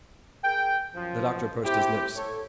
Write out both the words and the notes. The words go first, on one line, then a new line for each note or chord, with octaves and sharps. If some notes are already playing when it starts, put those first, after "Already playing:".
The doctor pursed his lips.
G#4 A#4 G5
F#2 F3
C4 E4 G4
A4 C#5